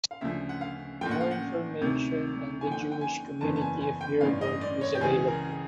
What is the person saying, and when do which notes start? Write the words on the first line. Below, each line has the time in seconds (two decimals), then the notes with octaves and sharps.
More information on the Jewish community of Yurburg is available.
0.11 F5
0.21 D2 C#3 F3 E5
0.49 F#5
0.61 F5
1.01 A#1 A2 F3 G5
1.11 F#5
1.21 F5
1.31 F#5
1.81 D2 C3 D#3
2.61 D#2 D3 F3 G#5
2.71 G5
2.81 F#5
2.92 G5
3.01 G#5
3.41 F#1 E2 C#3 E3 A5
3.56 A5
3.61 G#5
3.81 G#5
4.01 G5
4.21 A1 G2 E3 F5
4.41 D#5
4.61 D5
4.81 C#5
4.95 G4
5.01 C#2 C#3 E3 G#4
5.27 A#4